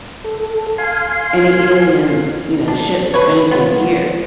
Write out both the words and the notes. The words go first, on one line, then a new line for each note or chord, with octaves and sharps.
any alien, you know, ships or anything here.
A4
F5 G#5 C6
D4
B4 C#5
B3 F4